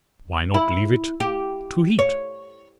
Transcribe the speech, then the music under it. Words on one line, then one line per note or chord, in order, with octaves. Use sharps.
"Why not leave it to Heat?"
E4
G4
C#5